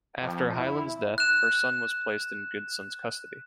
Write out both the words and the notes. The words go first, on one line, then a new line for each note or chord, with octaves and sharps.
After Hyland's death, her son was placed in Goodson's custody.
F2
E4
F#6 E7